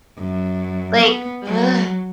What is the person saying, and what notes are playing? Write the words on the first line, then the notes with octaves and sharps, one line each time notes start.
Like, ugh!
F#2
B3
F#3